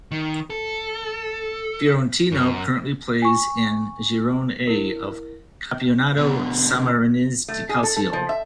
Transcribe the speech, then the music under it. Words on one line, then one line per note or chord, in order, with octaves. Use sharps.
Fiorentino currently plays in "Girone A" of Campionato Sammarinese di Calcio.
D#3
A4
F#2
G#5 C#6
E4 A#4
B2 D3
A3
G#4
A4
A4
F3
E5